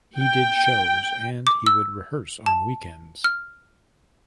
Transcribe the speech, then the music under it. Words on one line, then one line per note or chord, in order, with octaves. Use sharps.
He did shows and he would rehearse on weekends.
G5
D6
E6
A5
F6